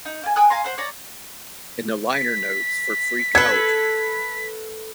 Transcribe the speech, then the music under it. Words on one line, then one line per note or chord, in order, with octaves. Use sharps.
In the liner notes for Freak Out!
D#4
A#3 G#5
G5 G#5 D#6 F#6
F5 G#5 A#5 C6
C5 F#5
C#5 D5 A#5
B6
A4 B4 G#6